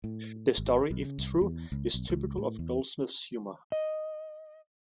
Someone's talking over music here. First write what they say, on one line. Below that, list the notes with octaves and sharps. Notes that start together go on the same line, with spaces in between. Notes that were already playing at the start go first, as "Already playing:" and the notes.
The story, if true, is typical of Goldsmith's humour.
A2
G#1
B1
C#3
C2
E2
C#2
B1
C#2
A2
E2
D#5